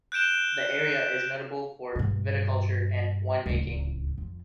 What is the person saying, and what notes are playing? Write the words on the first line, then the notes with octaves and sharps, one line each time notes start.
The area is notable for viticulture and winemaking.
F#6 G6 D7 E7 G7
G2 B2
D1 C#2
F2